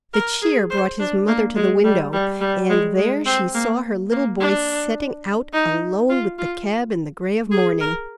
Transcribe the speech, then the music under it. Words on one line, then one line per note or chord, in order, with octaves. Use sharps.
The cheer brought his mother to the window, and there she saw her little boy setting out alone with the cab in the gray of morning.
A#4
G#4
C5
D4
A#3
G#3
G3
G3
G3
G#3
G#3
C4
A#3
A#3
D4
D#4
F4
F4
G#4
A#4